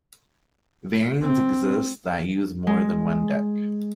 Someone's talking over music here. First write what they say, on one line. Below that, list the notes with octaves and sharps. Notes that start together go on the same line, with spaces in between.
Variants exist that use more than one deck.
C4
G#3